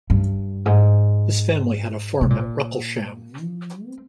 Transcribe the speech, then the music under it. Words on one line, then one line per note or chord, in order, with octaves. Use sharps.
His family had a farm at Wrecclesham.
G2
G#2
C3
A#2
F3
C4